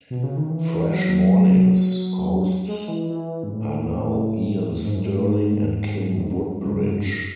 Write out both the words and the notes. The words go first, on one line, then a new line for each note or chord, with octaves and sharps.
Fresh Mornings hosts are now Ian Sterling and Kim Woodbridge.
B2
C#3
D#3
E3
F#3
G#3
E3
E3
G#2
A2
A2
G#2
F#2
G#2
A2
G#2
F#2
G#2
F#2
G#2
F#2
G#2
F#2
G#2
F#2
G#2
F#2
G#2
F#2